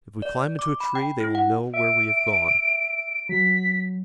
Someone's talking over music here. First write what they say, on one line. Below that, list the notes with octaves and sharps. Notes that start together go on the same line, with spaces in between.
If we climb into a tree they will know where we have gone.
D5
D6
B5
G5
E4
F#5
E5 D7
F#3 B6